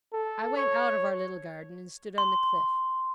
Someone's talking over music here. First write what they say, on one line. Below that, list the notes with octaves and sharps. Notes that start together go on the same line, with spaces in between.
I went out of our little garden, and stood on the cliff.
A4
C#5
C6